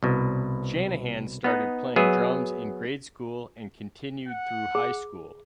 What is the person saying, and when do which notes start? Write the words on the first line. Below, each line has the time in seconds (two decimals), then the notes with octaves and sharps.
Shanahan started playing drums in grade school and continued through high school.
0.03 C2 B2
1.44 B3 D#4
1.96 F#3 B3 G#4 B4 E5
4.28 F#5
4.75 G#4